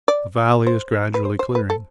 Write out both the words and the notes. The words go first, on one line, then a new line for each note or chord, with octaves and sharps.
The valley is gradually clearing.
D5
C5
B4
C5
C5
B4
A4